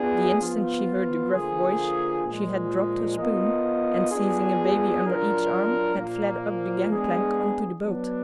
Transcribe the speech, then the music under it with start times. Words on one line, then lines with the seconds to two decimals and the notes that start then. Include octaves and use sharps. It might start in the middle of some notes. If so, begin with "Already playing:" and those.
The instant she heard the gruff voice she had dropped her spoon, and, seizing a baby under each arm, had fled up the gangplank on to the boat.
Already playing: B3 D4 F4 G#4
0.39 F3 B3 F4
1.32 D3 F3 A#3 F4 G#4
2.25 A#2 F3 G#3
3.18 B3 F4 A#4 D#5
4.10 B3 D4 F4 G#4
5.03 F#3 D4 F4 A#4
5.96 A#2 F3 A#3
6.88 G#3 B3 D4 G#4
7.81 F#3 B3 D4